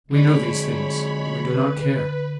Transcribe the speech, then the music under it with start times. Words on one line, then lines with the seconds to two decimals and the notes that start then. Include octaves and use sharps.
We know these things, but we do not care.
0.11 F2 D3 F#3 G#3 C#5 D5 B5
1.44 B4